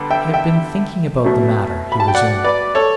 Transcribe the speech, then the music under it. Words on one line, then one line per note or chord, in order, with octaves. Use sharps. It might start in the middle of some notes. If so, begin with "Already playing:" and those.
"I have been thinking about the matter," he resumed.
Already playing: D3 G3 B3
E5 G5
E5 G5
B2 F#3 A3
B5
A5
G5
D5 F#5
B4 D5
A4 C#5